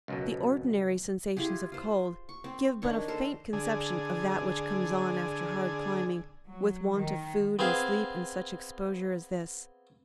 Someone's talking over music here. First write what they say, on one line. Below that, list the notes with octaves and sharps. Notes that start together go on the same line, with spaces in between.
The ordinary sensations of cold give but a faint conception of that which comes on after hard climbing with want of food and sleep in such exposure as this.
C#2 F#2 B2
E4 F4 G4 G#4
F4 C5
C#6
C4
D#3 D4 C#5 C#6
A4 A#4 C5
D3 G#4
F#3
D#3
B3 C4 G#4 F5